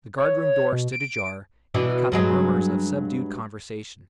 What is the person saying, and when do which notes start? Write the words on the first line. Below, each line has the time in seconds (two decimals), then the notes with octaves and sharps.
The guardroom door stood ajar, and he caught the murmurs of subdued conversation.
0.18 C#5
0.73 B2
0.92 D7
1.74 B2 E3 D4
2.12 G2 F#3 G#3